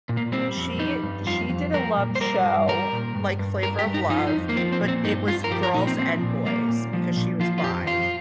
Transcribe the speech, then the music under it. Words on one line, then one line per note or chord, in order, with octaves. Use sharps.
she d she did a love show, like, Flavor of Love, but it was girls and boys, because she was bi.
A#2
A#3
G3 C4
F2
G3 D#4
G2
F2 F4
F2
G3 A#4
A#2
C5
G3 A#4
G2
G3 A#4
A#2
G2
G2
G2 A#4
G4
G2
D#4
F3 D#4
F4
D#4
F2
A#3
F3 C4
C4
A#2
C4
G2 D#4
G2 F4
A#4
F3 G4
A#4
A#2 D#4
C4
F3 C4
A#2
G3 A#3
A#2
F3
A#2
F3 F4
F4
F2 G4
F2 F4